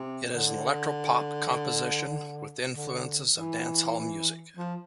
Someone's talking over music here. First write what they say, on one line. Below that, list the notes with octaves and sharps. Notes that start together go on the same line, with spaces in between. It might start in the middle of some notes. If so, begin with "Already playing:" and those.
It is an electropop composition with influences of dancehall music.
Already playing: C3
D3
D3
E3
F3